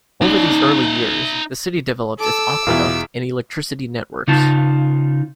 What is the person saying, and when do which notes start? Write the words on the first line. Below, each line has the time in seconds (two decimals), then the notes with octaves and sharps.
Over these early years, the city developed its aqueduct and electricity networks.
0.22 D#4 D5
2.19 A4 D6 E6
2.67 E2 B2 E4 F4 G#4
4.28 C#3 D#4 F4 A5